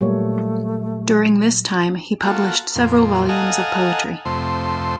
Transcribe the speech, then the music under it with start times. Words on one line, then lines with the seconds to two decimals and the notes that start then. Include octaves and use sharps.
During this time, he published several volumes of poetry.
0.01 A#2 F#3 G3 A3 A#3 C#5
2.24 A#3 F4 F#4 A4
2.76 F2 A#2
3.29 A4 D#5 F5 F#5 G#5 A#5
4.25 F2 C3 A3 C6